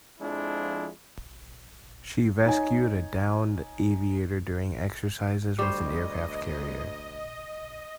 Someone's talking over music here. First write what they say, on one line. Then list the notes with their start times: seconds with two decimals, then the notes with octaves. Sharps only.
She rescued a downed aviator during exercises with an aircraft carrier.
0.20 F2 F3 G#3 D4 E4
2.46 D#4 C#5 G#5
5.59 D2 G3 C5 D#5 C#6 D6